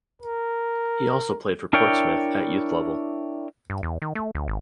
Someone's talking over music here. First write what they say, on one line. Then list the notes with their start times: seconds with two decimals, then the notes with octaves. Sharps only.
He also played for Portsmouth at youth level.
0.22 A#4
1.73 D4 E4 A#4 C#5 D5 G5
3.70 G2
3.83 E2
4.02 D#3
4.15 A3
4.35 D2
4.48 G#1